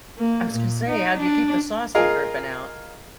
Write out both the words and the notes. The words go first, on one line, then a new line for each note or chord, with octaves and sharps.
I was gonna say, how do you keep the sauce from dripping out?
A#3
A#2
D#4
D4
F4 G#4 A#4 D#5 F5